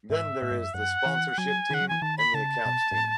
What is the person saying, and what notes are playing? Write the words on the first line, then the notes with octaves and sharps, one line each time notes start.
Then there is the sponsorship team, and the accounts team.
G#2 E5
A2
G#2
F#2
F#2 F#5
E3
F#3 G#5
D#3
F#5
F#3
E3 G#5
D#3 A5
B5
C#3 A5
B2
G#2
A2